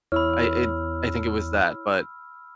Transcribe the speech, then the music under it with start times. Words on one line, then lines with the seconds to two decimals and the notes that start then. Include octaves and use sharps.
I, i I think it was that, but
0.12 E2 E4 C#5 B5 E6 F6